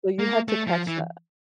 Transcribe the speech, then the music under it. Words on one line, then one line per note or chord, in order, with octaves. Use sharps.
So you had to catch that,
A#3
A3
F3
E3